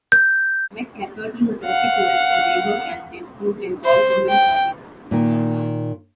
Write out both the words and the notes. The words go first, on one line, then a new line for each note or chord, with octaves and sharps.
McCafferty was selected to as a Labour candidate through an all-women shortlist.
G6
F5 F#5
C5
G5
A#2 D#3